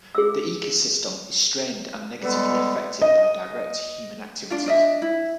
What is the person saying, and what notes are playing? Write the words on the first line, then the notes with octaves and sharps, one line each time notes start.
The ecosystem is strained and negatively affected by direct human activities.
G#4 E6
G3 G#3 B3 A4 B4
D#5
D4 F4
D4 D#5 E5
E4